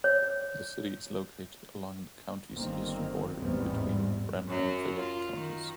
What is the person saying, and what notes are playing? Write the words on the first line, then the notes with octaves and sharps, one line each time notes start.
The city is located along the county's eastern border, between Bremer and Fayette counties.
C#5
G1 D#3 A#3 C4
A1 E2 G#2 G3 B3 C4
F#2 F#3
F4
D#3